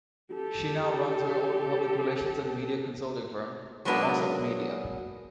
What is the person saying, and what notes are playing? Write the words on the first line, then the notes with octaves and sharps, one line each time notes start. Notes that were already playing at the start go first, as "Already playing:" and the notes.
She now runs her own public relations and media consulting firm, Mossop Media.
G4 A4
F#3 G#3 A#3 B3 D4 F#4